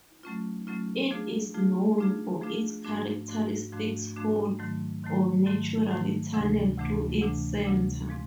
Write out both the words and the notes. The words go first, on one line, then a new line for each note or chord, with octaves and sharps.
It is known for its characteristic hole, or natural tunnel, through its center.
F#3 A3 C#4 F4
F#3 A3 C#4 F4
F3 A3 D4 F4 G#4
F3 A3 D4 F4 G#4
F3 A3 D4 F4 G#4
F3 A3 D4 F4 G#4
G#2 F3 A3 D4 F#4
G#2 F3 A3 D4 F#4
G#2 F3 A3 D4 F#4
G#2 F3 A3 D4 F#4
G#2 D#3 F#3 A3
G#2 D#3 F#3 A3
G#2 D#3 F#3 A3
G#2 D#3 F#3 A3
D2 C3 E3 A3 D4
D2 C3 E3 A3 D4
D2 C3 E3 A3 D4
D2 C3 E3 A3 D4
A#2 F3 G#3 C4